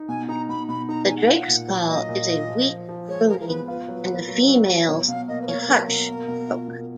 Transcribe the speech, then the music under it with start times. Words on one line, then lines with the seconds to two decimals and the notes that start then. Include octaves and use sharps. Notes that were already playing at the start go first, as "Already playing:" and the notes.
The drake's call is a weak crooning, and the female's a harsh croak.
Already playing: D#4
0.09 B2 G#5
0.28 D#4 A#5
0.49 B2 B5
0.68 B2 B5
0.89 D#4 A#5
1.08 G#3 G#5
1.17 F#5
1.26 F4 F5
1.35 F#5
1.48 A#2
1.68 F#3
1.88 A#2 D#5
2.09 A#2
2.28 F4
2.49 F3
2.68 F3
2.89 F3
3.08 G#3 C#5
3.28 G#3 A#4
3.40 A#4
3.48 B3 B4
3.68 F4 B4
3.88 F#3
4.08 A#3
4.28 F#3
4.48 F#3
4.68 F#3
4.88 B2 C#5
5.08 B2 F5
5.28 A#3 D#5
5.41 B4
5.48 A#3 C#5
5.60 A#4
5.68 F#3 B4
5.88 B2 A#4
6.09 A#3
6.28 B2
6.48 F4
6.68 B2